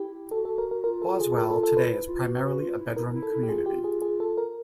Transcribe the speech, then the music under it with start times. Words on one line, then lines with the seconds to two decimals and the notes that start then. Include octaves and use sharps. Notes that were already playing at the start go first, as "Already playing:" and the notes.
Boswell today is primarily a bedroom community.
Already playing: E4 G4
0.31 F#4 A4
0.45 A4
0.58 A#4
0.71 A#4
0.84 F4 A#4
1.02 A4
1.20 G#4
1.38 A#4
1.51 A4
1.63 A4
1.77 B4
1.90 E4
2.08 F4
2.26 F#4
2.43 F#4
2.60 F4
2.78 E4
2.96 E4 A#4
3.14 E4
3.23 A4
3.32 E4
3.43 G4
3.49 F4 G#4
3.66 G4
3.84 G#4
4.02 G#4
4.20 A4
4.37 A#4